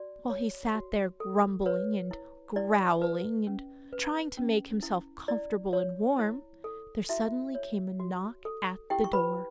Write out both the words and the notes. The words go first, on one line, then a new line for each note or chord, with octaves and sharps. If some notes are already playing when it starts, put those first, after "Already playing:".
While he sat there grumbling and growling and trying to make himself comfortable and warm, there suddenly came a knock at the door.
Already playing: F#4 D5
C#5
F#4
A4
B4 C#5
E4
E4 D5
B4
C#4
B4
C#4
E4
E4 D5
C#5
E4
A4
E4 F#4 E5
C#5
F#4
A4
E4 G4 G5
C#6
B4 B5